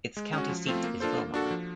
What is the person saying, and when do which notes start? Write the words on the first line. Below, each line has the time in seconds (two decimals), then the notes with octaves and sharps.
Its county seat is Willmar.
0.17 G#3
0.33 C#4
0.38 F#4
0.49 F3
0.67 A3 C4 F4
0.84 A#3
1.00 D4 F4 A4 C5
1.17 A#3
1.34 D4 F#4 A4
1.51 F3